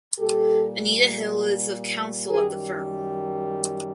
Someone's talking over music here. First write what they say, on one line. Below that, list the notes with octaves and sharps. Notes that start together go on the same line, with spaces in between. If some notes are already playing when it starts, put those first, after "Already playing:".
Anita Hill is of counsel at the firm.
A#2 G3 G4 A4
F#2 D#3 G3 G#4 A#4